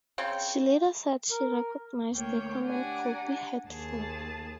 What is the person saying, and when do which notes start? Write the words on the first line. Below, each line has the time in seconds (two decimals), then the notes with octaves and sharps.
She later said she recognized the comment could be hurtful.
0.18 C#3 C4 G5
1.31 A#4
2.14 D2 A#3 C#5 G5
2.64 D4 G4 F#5 G#5 A#5
3.67 D#2 G#4 A5